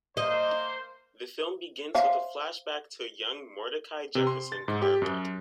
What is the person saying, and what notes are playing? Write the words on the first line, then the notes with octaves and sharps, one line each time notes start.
The film begins with a flashback to a young Mordechai Jefferson Carver.
A#3 C5 D#5
C5 E5 F5
C3
C6
A6
G#2
G4
F#2